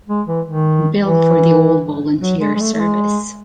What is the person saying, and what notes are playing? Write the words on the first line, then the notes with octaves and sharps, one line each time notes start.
Bill for the all-volunteer service.
G#3
E3
D#3
E3
F#3
G#3
G#3
A3
A3
G#3